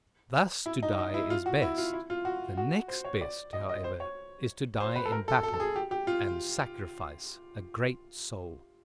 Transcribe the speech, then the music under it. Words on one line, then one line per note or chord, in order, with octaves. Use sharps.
Thus to die is best; the next best, however, is to die in battle, and sacrifice a great soul.
E4
D#4
D#4
E4
F4
F#4
E4
F4
E4
F4
F#4
F#4
C5
C#5
D5
D#5
D#5
C5
C#5
C5
B4
A4
A#4
A4
A4
A4
G#4
G4
G4
F4